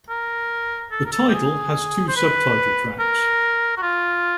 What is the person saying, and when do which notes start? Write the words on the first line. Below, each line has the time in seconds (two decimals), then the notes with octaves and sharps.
The title has two subtitle tracks.
0.09 A#4
0.91 A4
1.05 A#4
1.12 A4
1.29 G4
1.33 G#4
2.08 C5
2.16 B4
2.99 A#4
3.77 F#4
3.82 F4